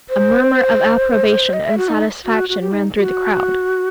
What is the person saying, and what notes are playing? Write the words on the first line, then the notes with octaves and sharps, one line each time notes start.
A murmur of approbation and satisfaction ran through the crowd.
C5
D#5
E5
F#4
D#4
F#4
F#4
G4
D#4
F#4